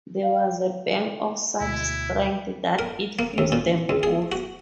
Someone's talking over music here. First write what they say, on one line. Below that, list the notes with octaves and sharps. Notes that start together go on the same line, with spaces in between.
There was a bang of such strength that it fused them both.
F5
D2 B2 E4
A#4
A#3
D#2
A#2
C#2
G#4
F#4